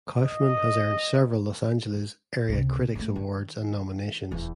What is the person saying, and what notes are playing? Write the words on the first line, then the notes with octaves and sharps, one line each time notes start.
Kaufman has earned several Los Angeles area critics' awards and nominations.
D#5
C#2 C3
G#2 A3
D#3
D#1 E2